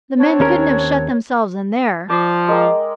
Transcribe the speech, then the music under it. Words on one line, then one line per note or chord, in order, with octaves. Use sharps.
"The men couldn't have shut themselves in there."
C4 D4 C#5
D#2 C#4 A#4
F3 D5
G#3 A#4 G5